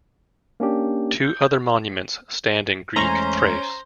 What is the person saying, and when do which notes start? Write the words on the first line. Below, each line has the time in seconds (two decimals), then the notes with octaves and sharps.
Two other monuments stand in Greek Thrace.
0.60 A#3 C#4 D4 G4
1.25 G6
2.96 E2 G#3 A3 C#4 C5 A#5